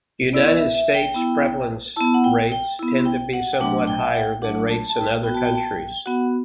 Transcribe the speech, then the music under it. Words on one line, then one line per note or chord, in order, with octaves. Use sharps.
United States prevalence rates tend to be somewhat higher than rates in other countries.
B3 E4 D5
E5
E5
G5
B3 E4
B3 E4 A5
F#5
G5
G5
B3 E4
G5
F#5
G5
F#3 A3 D4 F#5
G5
E5
F#5
G5
F#3 A3 D4 F#5
A5
A5
G5
B3 F#4 G5
A5
G5
A5
G5
B3 F#4 F#5